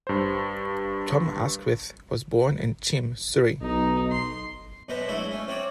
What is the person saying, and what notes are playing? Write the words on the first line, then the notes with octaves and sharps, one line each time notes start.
Tom Askwith was born in Cheam, Surrey.
G2 C5
B1 D#4
C6
F#2 B2 B3 B4 C5 A#5
F#3 G#3 A3 D4 E4 F#4
A3 C#4
C4 C#4 F#4 C#5 D5